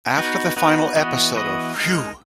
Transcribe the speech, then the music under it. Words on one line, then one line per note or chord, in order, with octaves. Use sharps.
After the final episode of Whew!
B3 D#4 F#4 B4
B3 D#4 F#4 B4
E3 B3 F#4 B4 D#5
E3 B3 F#4 B4 D#5
G#3 D#4 A#4